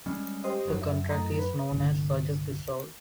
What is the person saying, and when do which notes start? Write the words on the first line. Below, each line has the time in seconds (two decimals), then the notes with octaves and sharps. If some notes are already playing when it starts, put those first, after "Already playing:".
The contract is known as Project Resolve.
0.06 G3 G#3 C#4
0.44 G4 C5 D#5
0.66 F#1 G2 F#3
0.82 F#2 E5
1.10 A2 D#5 A#5
1.39 B4
1.71 G1 C2 D3